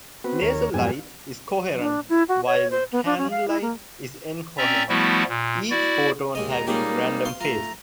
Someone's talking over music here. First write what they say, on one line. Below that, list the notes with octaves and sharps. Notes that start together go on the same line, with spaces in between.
Laser light is coherent while candlelight is incoherent, each photon having random phase.
B3 C4 F#4 B4
D#2 A#4 C#5
F2 G#2 F#3 B3 G4 G#5
D4
E4
F#4
C#5
C5
B3
D4
C#4
F5
E4
A#3
C4 C#4 D5 E5 A#5
F3 G3 A3 B3 E4 F#4
A#2
E4 F#4 D5
D#2 G#3 D#5
A#5
G3 G#3 A#3 C#4 D#4 G4
F5 C6
A3 F4 A#5